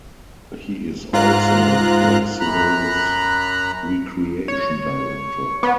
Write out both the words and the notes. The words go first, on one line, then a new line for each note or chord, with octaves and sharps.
He is also Brecksville's Recreation Director.
G#2 F4 A#5 F#6
F#2 A#5 B5 F#6
C#5
B3